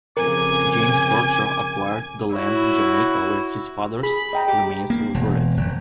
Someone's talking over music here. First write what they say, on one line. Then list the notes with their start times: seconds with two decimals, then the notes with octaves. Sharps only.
James Bradshaw acquired the land in Jamaica where his father's remains were buried.
0.17 F2 C#3 A#4 G#5 D6
2.35 E4 F#4 C#5
4.03 G#4 B5
4.33 D#5 G5 A#5
4.48 G4
4.90 A#3
5.14 E1
5.57 F1